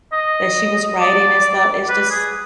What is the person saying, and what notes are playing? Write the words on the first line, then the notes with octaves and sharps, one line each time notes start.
that she was writing and stuff. It's just
D#5
D5
B4
G#4